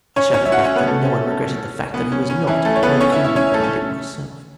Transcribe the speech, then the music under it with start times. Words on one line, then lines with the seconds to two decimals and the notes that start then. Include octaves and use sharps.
I shouted back that no one regretted the fact that he was not more keenly than I did myself.
0.16 C#4 C#5
0.34 C#4 C#5
0.45 E5
0.52 F#4 F#5
0.64 C#4 C#5
0.75 B3 B4
0.87 A3 A4
1.05 C#4
1.94 B3
2.12 C#4
2.30 C#4
2.47 E3 E4
2.65 A3 A4
2.76 C#5
2.83 B3 B4
3.00 C#4 C#5
3.12 E4 E5
3.24 E4 E5
3.36 C#4 C#5
3.54 A3 A4
3.64 C#4